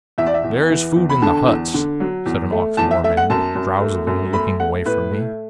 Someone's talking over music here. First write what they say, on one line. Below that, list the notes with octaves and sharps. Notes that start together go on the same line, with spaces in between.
"There is food in the huts," said an Ox-boar-man, drowsily, and looking away from me.
E2 E5
D5
E5
E2
E3
E2
B5
D3 A5
E2
D3
F#3
E2
A3
E2 A5
E5
A3 E5
F#5
F#2 A5
F#2
A3
F#2
A3 B5
A3 F#5
A2 B4
A3